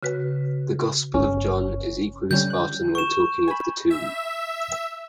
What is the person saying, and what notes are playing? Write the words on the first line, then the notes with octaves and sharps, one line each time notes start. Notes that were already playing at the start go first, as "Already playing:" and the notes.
The Gospel of John is equally spartan when talking of the tomb.
C#3 F#4 B4
G1 C#4
D3 G3 C#4 G6
F#6
C#6 E7
G#5 B5
E5